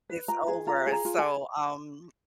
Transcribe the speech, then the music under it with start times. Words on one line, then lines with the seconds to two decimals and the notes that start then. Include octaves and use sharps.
it's over. So, um,
0.10 B4
0.28 F4 A#5
0.48 G#4
0.67 F4 A#5
0.87 G#4
0.92 A#5
1.05 F4
1.18 G#5